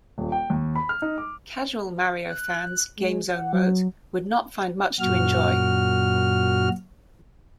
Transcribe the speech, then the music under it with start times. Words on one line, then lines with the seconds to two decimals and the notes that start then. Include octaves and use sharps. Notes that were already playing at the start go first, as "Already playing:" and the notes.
Casual "Mario" fans, "GameZone" wrote, would not find much to enjoy.
0.18 D#1
0.32 G5
0.50 D#2
0.75 B5
0.89 F6
1.02 D#4
1.18 D6
2.29 F#6
2.97 G#3
3.34 F#5
3.53 F#3
5.00 F#2 A#2 F#4 F6